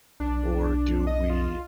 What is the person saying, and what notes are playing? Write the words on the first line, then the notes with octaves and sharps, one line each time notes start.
Or do we
B1 D4
D#5
F4